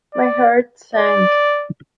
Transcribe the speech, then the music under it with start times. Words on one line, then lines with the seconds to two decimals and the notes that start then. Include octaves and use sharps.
My heart sank.
0.14 D5
0.95 D5